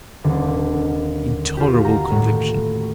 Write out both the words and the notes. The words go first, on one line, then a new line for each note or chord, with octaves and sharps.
Intolerable conviction!
D#1 D#2 D3
F4 G4
F#4 A#5
A2